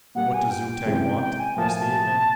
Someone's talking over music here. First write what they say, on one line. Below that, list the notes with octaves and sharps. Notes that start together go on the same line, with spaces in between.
"What does Zu-tag want?" asked the ape-man.
A#2 G3 A#3 F#5
G#5
G5
C3 E3 G#3 C#4 E4
G5
G#5
A2 F3 A#3 A5
G#5
A5